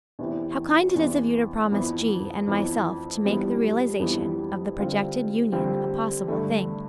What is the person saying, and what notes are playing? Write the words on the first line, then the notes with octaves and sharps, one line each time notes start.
How kind it is of you to promise G. and myself to make the realization of the projected union a possible thing!
E2 C3 E3
E2 C3 E3
F2 E3 B3
F2 E3 B3
F2 E3 G3 B3 D4
F2 E3 G3 B3 D4
D3 G3 C4 F4
D3 G3 C4 F4
G2 D3 A3